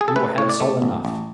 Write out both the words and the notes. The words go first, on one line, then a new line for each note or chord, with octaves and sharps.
"We will have salt enough."
G#4
A4
A3 B4
A2 C#5
D5
A3
A1
A1